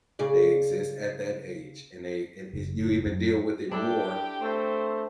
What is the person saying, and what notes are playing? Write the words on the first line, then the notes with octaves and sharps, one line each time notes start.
They exist at that age and they and if you even deal with it more,
C#3 G#4 D5
F#1
F#2
D4 E4 G4 A4 G5
A3 C4 C5